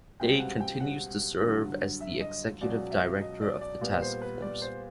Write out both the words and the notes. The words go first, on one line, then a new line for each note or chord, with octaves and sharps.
Day continues to serve as the executive director of the task force.
C#2 B2 G3 C4 G5
F#5
G5
F#5
G2 D3 F#3
E5
D#5
C#2 B2 F#3 D5
E5
D#5
D5
D5
A#2 G3 B3 D5
C5
B4
D5
C5